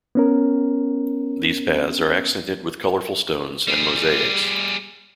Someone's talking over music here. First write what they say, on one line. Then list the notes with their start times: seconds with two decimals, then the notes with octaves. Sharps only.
These paths are accented with colorful stones and mosaics.
0.15 B3 C#4 A#4
3.67 G3 G#4